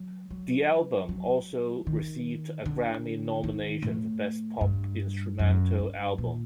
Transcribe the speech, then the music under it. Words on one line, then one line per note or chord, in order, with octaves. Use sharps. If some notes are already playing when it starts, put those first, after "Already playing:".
The album also received a Grammy nomination for Best Pop Instrumental Album.
Already playing: F#3
F#3
F#3
D#3
D3
D#3
A2
G2
F#2
G2
A#2